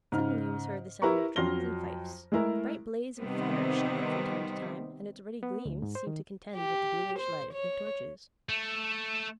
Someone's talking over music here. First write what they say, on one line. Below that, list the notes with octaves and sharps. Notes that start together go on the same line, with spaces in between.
Suddenly was heard the sound of drums and fifes; the bright blaze of a fire shot up from time to time, and its ruddy gleams seemed to contend with the bluish light of the torches.
G#2 C#3 F6
E4 G4 A#4 B4 A#5 C#6
F2 F#3 C6 F6 A#6 G7
G#3 A3 E4 A#4
C3 D#3 G3 B3 C4
B3
D2
G#2
C5
D#3
G4
C5
C#5
A3